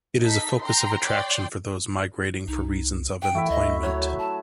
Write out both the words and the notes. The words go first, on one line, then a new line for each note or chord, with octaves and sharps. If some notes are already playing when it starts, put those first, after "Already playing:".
It is a focus of attraction for those migrating for reasons of employment.
D#4 A4 B6
G5 A#5 C6
C#5 D5 G5 C6
C2 D#4
F#5 G5
E3 A3 E4 E5
D2 D#5
F#3 C#5
A5